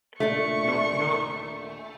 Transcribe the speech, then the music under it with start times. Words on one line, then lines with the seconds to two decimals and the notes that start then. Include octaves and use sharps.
Knock, knock.
0.20 D#2 A#2 A3 D4 C#6